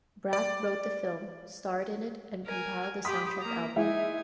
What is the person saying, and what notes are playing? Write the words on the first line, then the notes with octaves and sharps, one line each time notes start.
Braff wrote the film, starred in it, and compiled the soundtrack album.
D5
A#4 G#5
G4 B5 C6 D#6 B6
A#3 A#5
G#3 D#4 E4 G#5